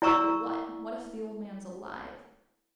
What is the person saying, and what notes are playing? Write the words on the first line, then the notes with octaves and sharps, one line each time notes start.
But what, what if the old man's alive?
E4 D5 A#5 C#6 E6